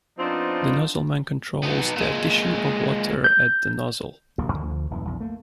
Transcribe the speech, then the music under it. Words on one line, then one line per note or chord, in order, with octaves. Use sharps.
The nozzleman controls the addition of water at the nozzle.
F3 B3 C4 D4 D#4 F4
B3 D#4
A#2 G#3
G6
D#1 A#1 C3 A#3
D2 D3 F3
D#1 F#2 E3
A#1 E2
A3 A#3